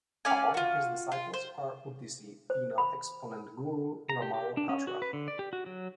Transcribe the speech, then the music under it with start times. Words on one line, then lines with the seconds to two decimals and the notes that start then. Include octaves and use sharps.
Among his disciples are Odissi Veena exponent Guru Ramarao Patra.
0.25 C#4 D5 F5 G#5
0.54 F4 F#4
1.12 F4
1.34 C5
2.50 C5
2.78 B5
4.09 A#5
4.22 G4
4.34 G4
4.57 D4
4.69 C#4
4.87 F#4
5.02 B4
5.13 D3
5.28 D5
5.39 G4
5.53 F#4
5.66 F#3